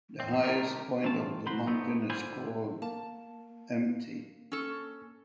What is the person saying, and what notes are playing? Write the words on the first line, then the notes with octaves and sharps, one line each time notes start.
The highest point of the mountain is called Mt.
E2 C4
C3 D#3 G3 A3 D4 A#4
C3 E3 A3 F4 A5
C#2 F#3 F#4 C5 B5 C6
A3 B3 C4 D#4
G#2 D3 F4 C5 G#5 B5
A#3 A5
C#4 A4